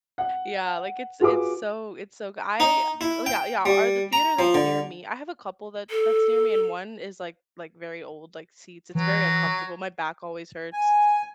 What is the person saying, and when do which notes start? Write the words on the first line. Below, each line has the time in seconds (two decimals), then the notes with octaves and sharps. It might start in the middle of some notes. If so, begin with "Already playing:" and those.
Yeah, like, it's it's so it's so goo l uh yeah, yeah or the theater that's near me; I have a couple that that's near me and one is, like like, very old, like, seats it's very uncomfortable, my back always hurts.
0.18 F#5
1.20 F4 F#4 G#4 B4 D6
2.60 D#4
3.01 E4
3.26 G5
3.66 G3
4.13 A#5
4.39 F3
4.54 D3
5.90 A4
8.95 E3 F#3
10.73 G#5